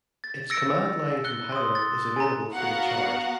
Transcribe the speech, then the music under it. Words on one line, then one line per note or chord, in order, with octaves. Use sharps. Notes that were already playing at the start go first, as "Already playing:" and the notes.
Its command-line compiler is available free of charge.
A6
E6 A6 A#6 C#7 D7
F#6 C#7 G7
C6 D#6
A6
G#5 A#5
B3 F#4 A#4 F5 F#5